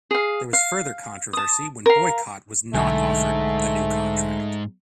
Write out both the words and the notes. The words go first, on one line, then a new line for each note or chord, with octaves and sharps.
There was further controversy when Boycott was not offered a new contract.
G#4 F5
F5
A5 D#6
A#4 F5
B1 G#2 D3 A3 G#5